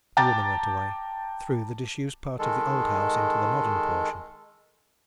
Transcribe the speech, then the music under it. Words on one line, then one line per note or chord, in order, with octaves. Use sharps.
The woman went away--through the disused part of the old house into the modern portion.
G5 A5 A#5 D6 A6
D#3 G#3 A4